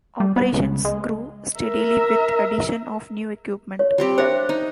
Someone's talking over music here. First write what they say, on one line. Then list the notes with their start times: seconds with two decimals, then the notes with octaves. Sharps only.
Operations grew steadily with addition of new equipment.
0.20 G3
0.36 B3
0.54 C#2
0.85 G#3
1.59 A#4 E5
3.79 C#5
3.98 G3 C4 G4
4.18 D4 C5 C#5 E5 F#5
4.49 D#4